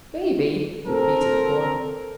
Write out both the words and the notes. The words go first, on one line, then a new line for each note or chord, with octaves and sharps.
"Baby!" repeated the boy.
C4 A4 A#4